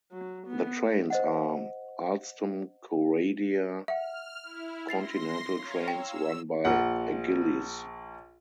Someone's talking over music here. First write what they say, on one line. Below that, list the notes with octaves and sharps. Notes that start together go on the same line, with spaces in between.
The trains are Alstom Coradia Continental trains run by Agilis.
F#3
B3
C5 D#5 F#5
E5 F#5 F6
E4
C6 A6 A#6 C7 F7
C#5 F5 A#5
G5 E6
A#1 F#5